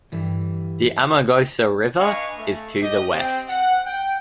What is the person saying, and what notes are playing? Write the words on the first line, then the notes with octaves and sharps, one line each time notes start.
The Amargosa River is to the west.
G2 D3 E3 G3
D4 B4 D#5 F5 G#5 C#6
A3
G4 D#5
C4 C5 G5
F#5
G5